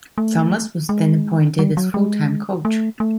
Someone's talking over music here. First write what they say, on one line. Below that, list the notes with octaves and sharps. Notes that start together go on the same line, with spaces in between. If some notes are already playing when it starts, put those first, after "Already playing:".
Thomas was then appointed as full-time coach.
A3
G#3
G3
F#3
G#3
A3
A3